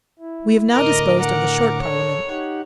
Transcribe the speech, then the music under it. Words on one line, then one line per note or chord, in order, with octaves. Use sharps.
We have now disposed of the Short Parliament.
E4
A2 D3 A#4 D#5 D6
A#4 F#5
A4 C#5
D#4 G4 F#5